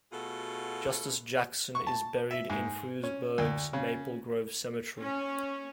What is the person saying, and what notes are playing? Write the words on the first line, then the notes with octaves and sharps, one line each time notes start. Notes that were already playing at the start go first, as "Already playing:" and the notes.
Justice Jackson is buried in Frewsburg's Maple Grove cemetery.
B2 A3 F4 F#4 G#4 A4
C#6
A5
E5
G#2
C#4
D2
C#3
C#4